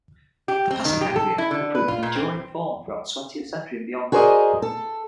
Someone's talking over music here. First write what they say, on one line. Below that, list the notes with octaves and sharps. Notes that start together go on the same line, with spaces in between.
The passacaglia proved an enduring form throughout the twentieth century and beyond.
G4
C4
D#3
G4
A4
E4
D3
B4
F4
A#2
C4
F#4 G#4 A#4 C5 D5 D#5
A4